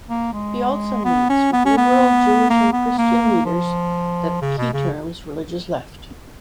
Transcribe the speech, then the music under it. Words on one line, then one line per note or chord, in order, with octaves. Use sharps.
He also meets with liberal Jewish and Christian leaders that he terms "religious left".
A#3
G#3
B3
C#4
B3
C#4
B3
A#3
B3
A#3
F3
C#3
B2
C#3